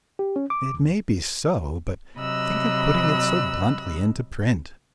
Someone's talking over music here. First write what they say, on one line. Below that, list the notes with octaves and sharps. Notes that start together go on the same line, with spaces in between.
It may be so, but think of putting it so bluntly into print.
G4
C#4
D6
D#2
C3 F#3 D#5 B5 E6 F#6